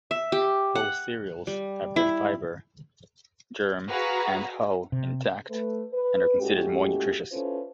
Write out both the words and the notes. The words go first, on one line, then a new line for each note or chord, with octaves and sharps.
Whole cereals have their fiber, germ and hull intact and are considered more nutritious.
E5
G4
F#5
G3
E4
F#4 G#4 B4 F5 A#5
C3
A3 B4
B4
A2 G#3 C#4 F#4 G4
C#4 E4 F4 A4 B4 C5